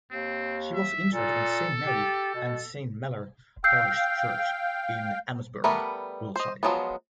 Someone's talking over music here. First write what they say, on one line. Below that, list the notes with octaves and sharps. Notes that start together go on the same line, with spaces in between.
She was interred in Saint Mary and Saint Melor Parish Church in Amesbury, Wiltshire.
D#2 C4
E5
A#2 A4
G4
B2
F5 G5 E6 G6 C7
G3 A3 B3 A#4 B4
C5 D#5
F3 F#3 G#3 B3